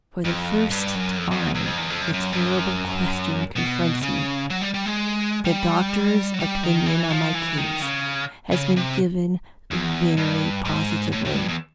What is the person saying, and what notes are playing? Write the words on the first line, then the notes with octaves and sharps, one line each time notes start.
For the first time, the terrible question confronts me: The doctor's opinion on my case has been given very positively.
F2
G2
F#2
F2
F2
E2
E2
F2
E2
F2
F#2
F#2
G2
F#2
B2
C#3
F#3
G3
G3
G#3
G3
F#3
G3
D#3
E3
F3
E3
D#3
C#3
C#3
C3
E2
G2
G#2
A2
A2
G2
E2